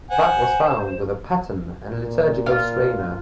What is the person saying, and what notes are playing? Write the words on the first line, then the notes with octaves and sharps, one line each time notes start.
That was found with a paten and liturgical strainer.
C5 F#5 G#5
A#2
F4